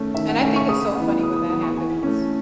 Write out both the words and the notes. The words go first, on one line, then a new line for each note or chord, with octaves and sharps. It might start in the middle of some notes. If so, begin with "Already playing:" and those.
And I think it's so funny when that happens.
Already playing: D#3 A3 C#4
D#3 E5
F#5
A3 C#4 G#5
C#6
C#3 D#6
E3 B3
C#3 D#6
D#6
E3 B3 D#6
C#6
E3 G#5
A3 C#4